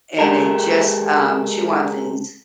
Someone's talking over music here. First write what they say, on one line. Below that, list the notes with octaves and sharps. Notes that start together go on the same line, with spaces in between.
and they just, um, chew on things,
G#3 G4 A4 A#4